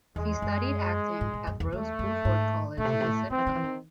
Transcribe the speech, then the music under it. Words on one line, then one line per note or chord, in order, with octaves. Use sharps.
She studied acting at Rose Bruford College in Sidcup.
E2 G#3
F#2
G#2
G#2
F#2
E2
E2 A3
F#2
G#2
A2 A3
C3
A2
C3
A2
D#3 C4
E3
D#3
E3
D#3